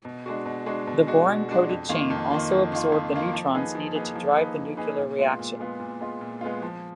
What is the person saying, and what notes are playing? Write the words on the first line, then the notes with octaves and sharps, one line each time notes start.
The boron-coated chain also absorbed the neutrons needed to drive the nuclear reaction.
B2
G#3 D4 F#4
B2
G#3 D4 F#4
B2
G#3 D4 F#4
B2
G#3 D4 F#4
F2
D#3 A#3 F4
F2
D#3 A#3 F4
F2
D#3 A#3 F4
F2
D#3 A#3 F4
F3
A#3 D#4 G#4 B4
F3
A#3 D#4 G#4 B4
F3
A#3 D#4 G#4 B4
F3
A#3 D#4 G#4 B4
A#2
G#3 B3 F4
A#2
G#3 B3 F4
A#2
G#3 B3 F4
A#2
G#3 B3 F4
F3